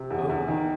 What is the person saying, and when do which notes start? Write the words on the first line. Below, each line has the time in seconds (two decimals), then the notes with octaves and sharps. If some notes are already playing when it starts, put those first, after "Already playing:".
Own what?
Already playing: C3
0.10 E2
0.30 E2
0.48 D#3